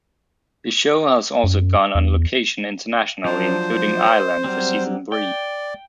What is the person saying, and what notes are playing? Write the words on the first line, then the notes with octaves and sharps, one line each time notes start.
The show has also gone on location internationally including Ireland for Season Thre.
F#2
E2
F3 F#3 D4 C5
F#3 G3 C4
D5 G5